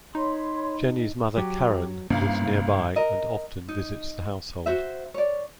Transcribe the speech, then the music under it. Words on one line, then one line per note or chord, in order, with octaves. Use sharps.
Jenny's mother Karen lives nearby and often visits the household.
D#4 C#5 B5 C6
F#3 G4
C2 G2 A#3 C#4 F5
A#4 D#5
D#4
F#4 C5 E5
C#5 D5